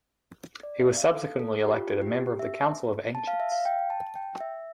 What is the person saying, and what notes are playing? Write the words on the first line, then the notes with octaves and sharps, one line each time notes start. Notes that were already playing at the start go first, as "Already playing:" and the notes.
He was subsequently elected a member of the Council of Ancients.
D5
E5
F5
A4
A4
G4
F4
F4
G4
G4
E5
A5
F5
E5
F5
G5
A5
G5
E5